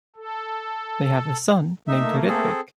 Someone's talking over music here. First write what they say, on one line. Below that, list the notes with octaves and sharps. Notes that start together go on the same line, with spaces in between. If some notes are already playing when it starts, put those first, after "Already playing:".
They have a son named Ritwik.
A4
A3 A#3 D#4 E5
C4 G#4 A4